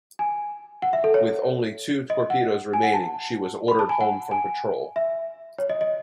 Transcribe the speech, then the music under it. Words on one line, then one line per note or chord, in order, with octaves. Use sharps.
With only two torpedoes remaining, she was ordered home from patrol.
G#5
F#5
E5
A4
C#5
D#5
F#5
G#5
F#5
A5
B5
A5
G#5
F#5
G#5
E5
C#5
D#5
D#5